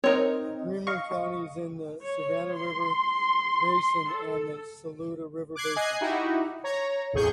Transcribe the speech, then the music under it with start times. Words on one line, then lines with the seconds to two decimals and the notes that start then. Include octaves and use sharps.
Greenwood County is in the Savannah River basin and the Saluda River basin.
0.04 C4 D#4 A#4 C#5
0.87 D#5 F5 C#6
2.02 C#5
2.53 C6
4.09 A4
5.55 D6 F#6 G#6 C7
5.76 D#5 G#5 F#6 G#6 C7
6.01 D#4 E4 F#4 G4
6.64 C#5 A#5
7.13 A1 E2 C3 G#4 C#6 G6